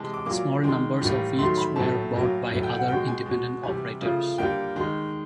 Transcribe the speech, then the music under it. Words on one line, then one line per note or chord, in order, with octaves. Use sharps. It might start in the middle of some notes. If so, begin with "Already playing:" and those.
Small numbers of each were bought by other independent operators.
Already playing: C3 E3 G#3 A5
D6
A#2 F#3 A#3 D6
D#3 G#3
A2 E3 G3 A#3
D#3 F#3 A3 C6
B5
A2 F#3 A3 A5
A2 F#3 A#3
A2 F#3 A3
G5
F#5
B2 G#3 G5
G#5
B2 G#3
C3 E3 G3 G#5
C#3 F3 A3
D3 G3 A#3 G5
D#3 G#3